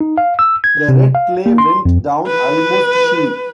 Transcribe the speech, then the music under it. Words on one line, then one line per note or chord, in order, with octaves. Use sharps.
The red clay went down almost sheer.
D#4
F5
E6
G#6
C3
F5
A#3
C6
F2
B4